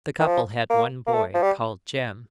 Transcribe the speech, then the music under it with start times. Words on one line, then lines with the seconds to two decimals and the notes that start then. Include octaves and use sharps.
The couple had one boy called Jem.
0.20 D#3
0.26 F3
0.70 A#3
1.07 A#3
1.14 A3
1.34 F3
1.42 G3